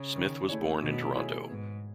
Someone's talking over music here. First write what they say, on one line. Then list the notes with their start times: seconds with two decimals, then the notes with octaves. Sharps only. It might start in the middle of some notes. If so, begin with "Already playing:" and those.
Smith was born in Toronto.
Already playing: C#3
0.16 D#3
0.48 A3 E4 G#4 C#5
0.82 B2 D#3
1.16 A3 E4 G#4 C#5
1.49 G#2 B3